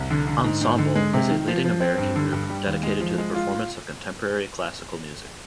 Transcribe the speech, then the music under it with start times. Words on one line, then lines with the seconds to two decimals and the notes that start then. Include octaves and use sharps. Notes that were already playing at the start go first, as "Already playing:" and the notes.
Ensemble is a leading American group dedicated to the performance of contemporary classical music.
Already playing: C2
0.11 D3
0.27 D3
0.44 G#2
0.61 G#2
0.78 D3
0.95 G#3
1.13 C3
1.29 D#3
1.47 F3
1.64 F3
1.80 C4
1.98 G2
2.16 D3
2.32 G2
2.49 G3
2.66 D#2
2.83 G#3
3.01 F3
3.18 G#3
3.35 F4